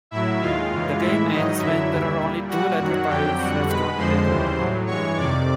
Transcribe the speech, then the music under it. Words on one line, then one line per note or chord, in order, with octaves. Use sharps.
The game ends when there are only two letter piles left on the table.
A2 F#3 E4 E5
D#2 D#3 G#3 F4 F5
F#2 C#3 E3 G#3
A2 E3 G#3 E4 E5
G#2 D#3 F#3 D#4 D#5
F#2 D3 F#3 E4 E5
D#2 D3 G3
A#2 G3
A#2 G3 F#4 F#5
F#2 D#3 F#3
F2 D3 F#3 G4 G5
F2 D3 G3 F#4 F#5
B2 G#3 B4 B5
F2 D3 F3 G#3 C5 C6
D#2 C#3 E3 G3
A2 F#3
G2 E3 G#3 C#5 C#6
F2 C3 D#3 D5 D6